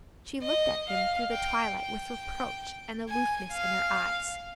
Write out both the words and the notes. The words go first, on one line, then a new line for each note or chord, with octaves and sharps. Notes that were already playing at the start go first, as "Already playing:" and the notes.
She looked at him through the twilight with reproach and aloofness in her eyes.
D#5
F5
G5
G5
G#5
F5